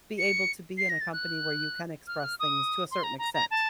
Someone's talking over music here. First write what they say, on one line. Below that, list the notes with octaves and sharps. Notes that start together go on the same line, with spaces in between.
be able to be in a company where you can express things to a certain extent.
C#7
C7
A#6
A6
F#6
F6
F#6
F6
D#6
C6
A#5
A#5
A#5
A5